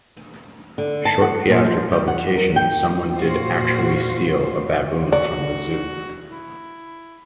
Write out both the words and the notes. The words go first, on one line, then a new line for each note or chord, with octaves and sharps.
Shortly after publication someone did actually steal a baboon from the Zoo.
D3
A5
F#5
A#2
F3
G3
F#5
A#4
G5
A#2 F4 F#4 C5
F#4 D5
E4